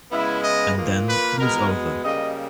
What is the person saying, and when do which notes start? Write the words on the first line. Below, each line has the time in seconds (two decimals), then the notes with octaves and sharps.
And then it was over.
0.11 C#3 G#3 B3 E4
0.43 D#5
0.75 A#2 A#3
1.07 B4
1.39 B2 G#3 B3 A#4
2.03 C#3 G3 A#3 D#5